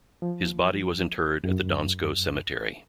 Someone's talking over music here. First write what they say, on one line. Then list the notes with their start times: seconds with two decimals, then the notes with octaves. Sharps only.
His body was interred at the Donskoe Cemetery.
0.22 F3
1.44 F#2